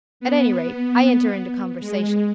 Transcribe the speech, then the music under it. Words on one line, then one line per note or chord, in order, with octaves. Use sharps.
At any rate, I enter into conversation.
B3
G#3